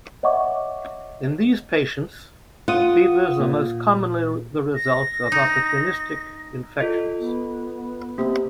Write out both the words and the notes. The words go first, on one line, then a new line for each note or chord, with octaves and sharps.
In these patients fevers are most commonly the result of opportunistic infections.
C#5 D#5 E5 F#5 C#6 D6
F4 F#5 D#6
A#2
A#6
D#4
F4 A4 D#5
B3
C3 A#3